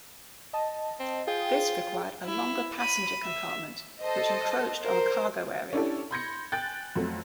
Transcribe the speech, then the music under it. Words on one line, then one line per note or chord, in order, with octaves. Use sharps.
This required a longer passenger compartment, which encroached on the cargo area.
D#5 A5
C4
F4 G#4 G5
E4
B5 D#7
E5
A4 C5 D#5
A#4 C5
C#4 D4 E4 G4 A4
B5 C6 G6 G#6 A#6 C#7
G5 G#5 F#6 G6 A6
F2 F#3 A3